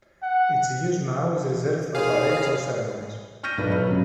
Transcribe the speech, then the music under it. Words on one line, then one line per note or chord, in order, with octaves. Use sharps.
Its use now is reserved for parades or ceremonies.
F#5
D#2 A2 G#4 F5
C#6 F6 G6 A#6 D#7
B1 D4 B4
B1 B4
C#3 F#3